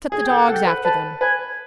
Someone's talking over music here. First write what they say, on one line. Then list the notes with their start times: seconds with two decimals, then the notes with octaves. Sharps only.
'Set the dogs after them.'
0.12 G#4 G#5
0.25 A4 G5
0.38 F#5
0.48 A4 G5
0.67 B4
0.85 B4 A5
1.21 B4 G#5